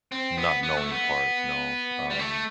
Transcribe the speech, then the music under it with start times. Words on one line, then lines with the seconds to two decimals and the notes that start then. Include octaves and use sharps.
not knowing part, you know? Um,
0.12 C4
0.38 B3
0.63 B3
0.77 A3
0.91 B3
2.10 G3
2.19 A3